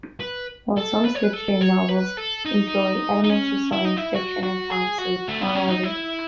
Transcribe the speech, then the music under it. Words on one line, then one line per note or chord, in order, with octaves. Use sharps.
While some slipstream novels employ elements of science fiction or fantasy, not all do.
B4
A4
B4
C#5
B4
A4
C#5
B4
A4
D#4
D#4
C#4
E4
D#4
E4
F#4
F#4
G#4
F#4
A3
B3
C#4
D#4
E4